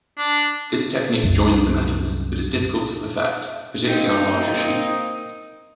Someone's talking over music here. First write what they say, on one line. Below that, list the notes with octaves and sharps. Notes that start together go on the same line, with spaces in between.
This technique joined the metals, but is difficult to perfect, particularly on larger sheets.
D4
C2 F#2
A#3 C4 D#4